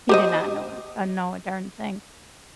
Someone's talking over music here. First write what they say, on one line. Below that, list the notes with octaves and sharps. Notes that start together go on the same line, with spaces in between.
He did not know, uh, know a darn thing.
G4 C5 D#5